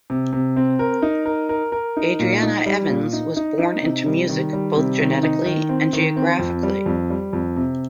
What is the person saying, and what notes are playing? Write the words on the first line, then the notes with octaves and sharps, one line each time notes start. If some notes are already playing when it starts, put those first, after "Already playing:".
Adriana Evans was born into music, both genetically and geographically.
C3
C3
C4
A#4
D#4
A#4
A#4
A#4
D#4
A#2
D#4
G3
A#2
D#4
D#4
D#4
C3
G3
D#3
G3
C3
D#3
D#4
D#3
C4
D#3
C4
F2
G3
F2
G3
F2
C3